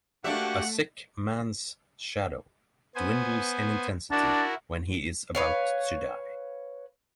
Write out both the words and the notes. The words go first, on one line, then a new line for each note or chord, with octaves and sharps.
A sick man's shadow dwindles in intensity when he is about to die.
A3 A#3 D4 F#4 G4 E5 F#5 F#6
B3 C5 G#5
D4 E4 F#4 A#4 A5
B4 C#5 F5